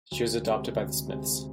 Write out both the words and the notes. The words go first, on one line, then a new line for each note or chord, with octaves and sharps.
She was adopted by the Smiths.
D2
C3 G#3 C4
D2
C3 G#3 C4